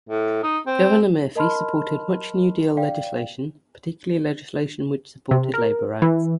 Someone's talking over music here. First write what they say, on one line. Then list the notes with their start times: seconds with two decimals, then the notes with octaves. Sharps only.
Governor Murphy supported much New Deal legislation, particularly legislation which supported labor rights.
0.09 A2
0.43 D#4
0.66 C4
1.35 A#4 D#5 A5 B5 C6 F6
2.77 D5 F5 G5
5.31 C3
5.54 A#4
6.02 E3